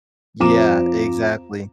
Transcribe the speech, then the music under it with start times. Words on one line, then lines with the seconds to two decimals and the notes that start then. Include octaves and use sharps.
Yeah, exactly.
0.40 F2 F3 A#5 D6 E7